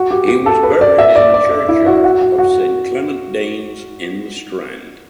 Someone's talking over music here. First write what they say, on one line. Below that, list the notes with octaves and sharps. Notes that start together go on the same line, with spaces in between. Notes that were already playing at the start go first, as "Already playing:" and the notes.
He was buried in the churchyard of Saint Clement Danes in the Strand.
Already playing: F#4
G4
G4
A4
B4
D5
E5
D5
D5
D5
E4
F#4
F#4
F#4
F#4